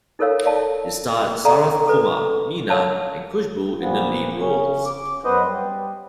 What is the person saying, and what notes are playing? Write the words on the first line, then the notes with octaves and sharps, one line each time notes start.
It starred Sarath Kumar, Meena and Kushboo in the lead roles.
D#4 A4 A#4 C#5 F5
D5 F5 A5
A4 D5 F5 F#5 A5 A#5
D4 A4 B4
C#5 F5 A5
A#2 F3 B3
C#3 C#4
D6
F#2 B3 B4 C5 D#5
G3